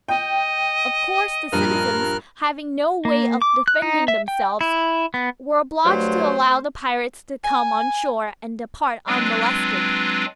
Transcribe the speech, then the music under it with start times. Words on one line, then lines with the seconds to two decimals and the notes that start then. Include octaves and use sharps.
Of course the citizens, having no way of defending themselves, were obliged to allow the pirates to come on shore and depart unmolested.
0.08 D#5 G5
1.53 G2 A#2 F3 A#4 F6 F#6
3.05 A#3
3.42 D6
3.68 F#6
3.82 D#4
4.08 E5
4.28 G5
4.61 E4
5.14 B3
5.85 G2 F#3 A3 C5
7.44 G#5
9.07 F#3 G#3 C4 D4 F4 B4